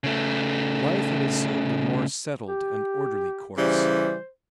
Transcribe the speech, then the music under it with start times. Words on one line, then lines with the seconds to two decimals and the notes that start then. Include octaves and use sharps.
Life had assumed a more settled and orderly course.
0.04 C#3 A3
2.48 G4
3.57 C#3 E3 G3 C5